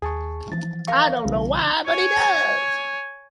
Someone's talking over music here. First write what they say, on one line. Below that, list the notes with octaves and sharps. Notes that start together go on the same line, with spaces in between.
I don't know why, but he does.
D#2 G#4 A5 C#6
E3 F3 A6
A#4 F5 C#6
B1 C#3 E3 G3 B3
C#5 G#5